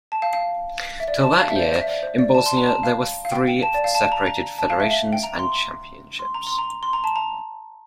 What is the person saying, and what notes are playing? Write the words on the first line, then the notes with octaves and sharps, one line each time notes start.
Till that year, in Bosnia there were three separated federations and championships.
A5
F5
F5
E5
D5
A5
F5
E5
C5
D5
C5
E5
D5
C5
D5
A5
C6
A#5
A5
F5
F5
G5
G5
A5
D5
F5
A5
A#5
A#5
A5
F5
E5
E5
G5
A#5
C6
C6
A#5
C6
A#5
C6
A#5
A5
A#5